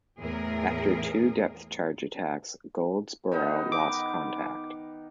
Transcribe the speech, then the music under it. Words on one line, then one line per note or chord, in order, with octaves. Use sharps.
After two depth charge attacks, "Goldsborough" lost contact.
E2 A2 G#4 A#4
D#3 B3 D#4
D6